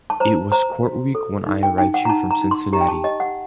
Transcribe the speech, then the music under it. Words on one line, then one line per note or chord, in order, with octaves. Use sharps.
It was court week when I arrived here from Cincinnati.
A5
C5 A#5
C5 A#5
F#4
A4
D#4
G5
D#4 G5
F#5
A#5
D#4 A5
A#5
D#4
C6
G4 A#5
G5
A5
G4 D#5
F#5